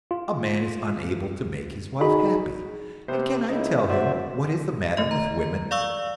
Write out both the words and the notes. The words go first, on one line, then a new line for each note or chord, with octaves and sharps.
A man is unable to make his wife happy, and can I tell him what is the matter with women?
F4
D#4 F#4 G#4 B5
C3 B3 C5
C#2 D#4 E4
F#2 F#4 C5 D5 E5
A3 D#5
A#5
D5 F5 C#6 E6